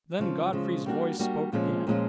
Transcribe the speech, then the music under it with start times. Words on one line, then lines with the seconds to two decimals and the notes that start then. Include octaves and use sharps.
Then Godfrey's voice spoke again.
0.19 C#3 F3 G#3
0.53 C#3 F3 G#3
0.86 G3 A#3 D4 F#4
1.19 G3 A#3 D4 F#4
1.52 A#2 F3 G#3 C#4 F4
1.87 A#2 F3 G#3 C#4 F4